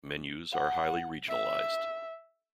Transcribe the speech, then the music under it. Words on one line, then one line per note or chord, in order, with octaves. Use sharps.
Menus are highly regionalized.
F#5
E5